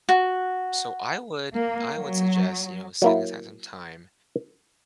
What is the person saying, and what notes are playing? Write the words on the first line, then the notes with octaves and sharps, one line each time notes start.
so I would I would suggest, you know, setting aside some time
F#4
A#3
F#3
F#3 A#3 E4